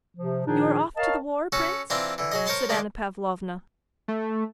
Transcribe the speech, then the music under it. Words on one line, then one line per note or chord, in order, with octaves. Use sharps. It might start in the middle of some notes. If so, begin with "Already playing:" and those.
"You are off to the war, Prince?" said Anna Pavlovna.
C3 F3
A#2 D#3 F3 D4 D#4 G#4
A#4 C#5 D#5 F5 A5
C#4 F#4 A4
E3 C4 D4 F4 A#5 C6
D3 E3
F#3 G#4 D#5
A#4 C5 C#5 A5 C6
D#3 G#3 A#3 D4
A3